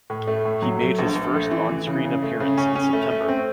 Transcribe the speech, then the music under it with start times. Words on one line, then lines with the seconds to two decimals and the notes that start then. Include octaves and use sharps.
He made his first on screen appearance in September.
0.10 A2
0.27 A3
0.45 A2
0.62 F#3
0.80 A3
0.99 A#1
1.16 A#1
1.34 A3
1.51 E3
1.69 E3
1.87 C#3
2.05 C#3
2.23 A3
2.40 C#3
2.58 C#4
2.75 C#4
2.93 A3
3.11 A3
3.28 C4